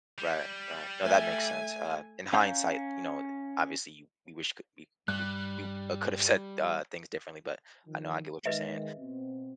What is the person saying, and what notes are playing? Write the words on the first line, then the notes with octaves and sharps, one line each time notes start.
Right, right. No, that makes sense. Uh, in hindsight, you know, obviously, you we wish c we we we, uh, could have said, uh, things differently, but I know I get what you're saying.
G3
A3 E5 G#5
C#4 F5 A#5 G6
G2 G3 F#6
D#3 F3
D#3 G#3 B4 D#5 E5
B2 C4